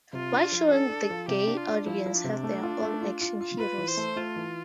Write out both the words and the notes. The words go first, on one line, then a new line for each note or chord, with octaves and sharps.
Why shouldn't the gay audience have their own action heroes?
C3 F4
D4
F3
D4 A4
D4
F3
C3 G4
D4
F4
D4
F3 E4
F3
D4
C3
A3
F4
A3
F4
F4
F4
F4 B4
E3
C5
A3
A3 F4
E3